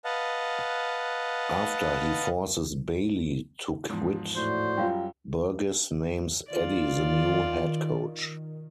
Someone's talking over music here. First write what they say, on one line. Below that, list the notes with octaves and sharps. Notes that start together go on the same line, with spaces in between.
After he forces Bailey to quit, Burgess names Eddie the new head coach.
B4 D#5 F5 F#5 A5
E2 G#2 F3
A2 F#4 C5 D5
F#2 F#3 G3 F4 F5 G5
D#3 F4 D5